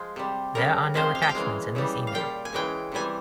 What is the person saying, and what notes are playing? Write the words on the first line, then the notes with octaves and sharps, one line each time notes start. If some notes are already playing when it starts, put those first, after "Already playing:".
There are no attachments in this email.
Already playing: F3 G#3
C3 G3
C#3 G3 A#4
C3 F3 G#3 C5
F5
G5
F5
C#3 E3 G#3
C#3 E3 G3
F5
A#2 G3 G5
G#5
C#3 E3 G#3 G5
C3 E3 G3 G#5